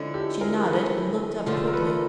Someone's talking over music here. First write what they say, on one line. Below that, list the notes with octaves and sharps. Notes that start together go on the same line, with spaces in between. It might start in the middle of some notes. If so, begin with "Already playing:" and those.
She nodded, and looked up quickly.
Already playing: D3 F3 G#3 C#4 E4
G4 A4
G#4 A#4
A4 B4
D3 F3 A3 G#4 A#4
A#4
A4 B4